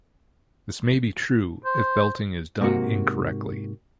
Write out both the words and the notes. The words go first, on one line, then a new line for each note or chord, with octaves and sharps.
This may be true if belting is done incorrectly.
C5
G#2 C3 A#3 F#4